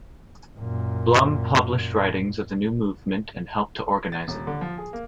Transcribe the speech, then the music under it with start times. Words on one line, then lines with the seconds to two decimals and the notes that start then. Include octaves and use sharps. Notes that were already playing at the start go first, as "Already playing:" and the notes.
Blum published writings of the new movement and helped to organize it.
0.59 F#2 A#2
4.12 A6
4.28 D#1
4.47 D3
4.61 F3
4.78 G#4
4.93 A#3